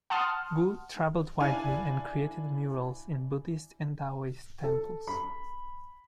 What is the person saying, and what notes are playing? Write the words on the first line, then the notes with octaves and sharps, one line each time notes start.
Wu traveled widely and created murals in Buddhist and Daoist temples.
F#5 A5 C6 D#6 F6
D4 E4 F5 G#5
A4
B5